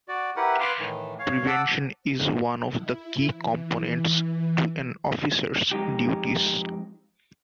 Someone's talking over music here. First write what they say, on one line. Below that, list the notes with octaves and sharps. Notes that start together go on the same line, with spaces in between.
Prevention is one of the key components to an officer's duties.
F#4 D5
E4 G4 A#4 B4 F#5
B4 F5 C6 D6
A2 D#3 E3
C#5 F5
F#5 A5 D6 E6
E4
E3
F2 G#3 D#4 G4